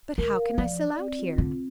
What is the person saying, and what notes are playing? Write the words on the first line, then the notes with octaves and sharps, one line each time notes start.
"But how can I sell out here?"
D3 A#4
F5
F3 D5
D5
C4
F4
D3 C4